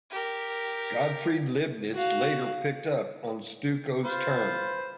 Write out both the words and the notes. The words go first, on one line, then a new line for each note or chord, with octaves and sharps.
Gottfried Leibniz later picked up on Steuco's term.
G4 A#4
F#4 F5
F4 B4 C5